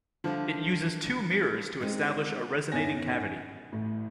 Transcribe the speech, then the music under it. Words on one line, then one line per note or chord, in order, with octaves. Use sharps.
It uses two mirrors to establish a resonating cavity.
D3 F3 G3 E4
G#3 C4 D#4
G1 E2 D#3 C#4 G#5 A#6
A1 A2